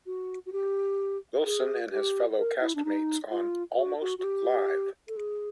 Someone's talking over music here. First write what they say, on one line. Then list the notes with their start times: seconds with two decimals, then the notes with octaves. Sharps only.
Wilson and his fellow cast-mates on Almost Live!
0.06 F#4
0.46 F#4
0.52 G4
1.45 G#4
1.91 G4
2.38 A#4
2.61 E4
2.75 D4
2.85 D#4
3.31 F4
3.77 F#4
4.01 F#4
4.19 F#4
4.24 G4
5.08 A4
5.17 G#4